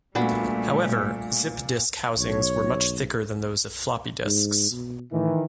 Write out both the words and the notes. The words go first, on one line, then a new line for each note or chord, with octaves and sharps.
However, Zip disk housings were much thicker than those of floppy disks.
A#2 G3 A3 B3 D4 F#4
B1 C#5
G#2
B2
A2 D#3 E3